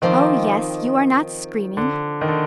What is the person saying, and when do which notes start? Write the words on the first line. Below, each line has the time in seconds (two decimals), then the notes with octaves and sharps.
Oh, yes; you are not screaming.
0.02 D#3 F3 C4 D#4 G4
1.77 D3
2.21 D#3
2.28 D3